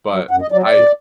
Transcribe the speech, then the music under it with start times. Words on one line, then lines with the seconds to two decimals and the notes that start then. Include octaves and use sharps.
But I
0.10 F#3
0.31 F#2 F#5
0.42 D#5
0.52 F#3 D5
0.63 D5
0.73 A#2